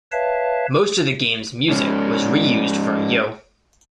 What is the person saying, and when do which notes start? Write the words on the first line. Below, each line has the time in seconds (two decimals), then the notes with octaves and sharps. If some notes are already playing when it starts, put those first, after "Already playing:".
Most of the game's music was re-used for Yo!
0.12 B4 C#5 E5 F5 A5
1.69 G#2 C#4